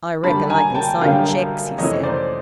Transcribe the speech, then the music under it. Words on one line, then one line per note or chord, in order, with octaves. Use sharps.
"I reckon I can sign cheques," he said.
F#2 D3 G3 A5 B5
G#5 A#5
G5 A5
F#2 D3 G3 F5 G5
F2 C3 E3 A3 C#4 C#5 D#5
C5 D5